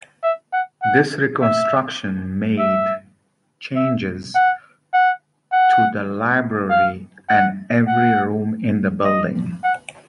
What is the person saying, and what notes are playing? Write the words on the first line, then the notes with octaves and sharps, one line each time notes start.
This reconstruction made changes to the library and every room in the building.
E5
F#5
F#5
E5
E5
E5
F#5
F#5
F#5
F5
F#5
F#5
D#5
F#5